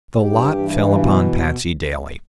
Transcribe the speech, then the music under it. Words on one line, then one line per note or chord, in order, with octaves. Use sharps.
The lot fell upon Patsey Daly.
A4
G2 G4
E3
B2